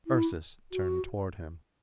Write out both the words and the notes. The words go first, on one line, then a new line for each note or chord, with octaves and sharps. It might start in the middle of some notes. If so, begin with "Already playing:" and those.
Ursus turned towards him.
E4
F#4